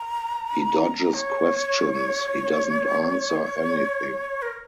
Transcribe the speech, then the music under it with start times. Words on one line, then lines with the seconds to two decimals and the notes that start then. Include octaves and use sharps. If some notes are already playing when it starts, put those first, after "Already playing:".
He dodges questions, he doesn't answer anything.
Already playing: A#5
1.14 C#5
4.42 A#4